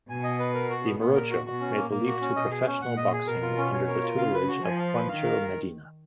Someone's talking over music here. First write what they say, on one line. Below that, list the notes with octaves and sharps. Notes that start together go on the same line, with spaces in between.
The "Morocho" made the leap to professional boxing under the tutelage of Juancho Medina.
B2 G#5
D#5
B4
A#4
F#4
B3
A#2 B3
A#4
F#4
B2 F#4
C#4
A#3
A#2 A#3
F#4
C#4
B2 D#5
G#4
C#4
A#2 F#5
D#5
G#4
B2 A#4
F4
C#4
C#5
A#4
F4
C#3 F5
B4
F#4
F3 G#5
F5
B4
D#3 F5
A#4